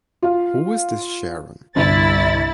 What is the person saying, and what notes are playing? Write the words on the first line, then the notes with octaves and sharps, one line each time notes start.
Who is this Sharon?
F4 F5
G1 C2 E4 A6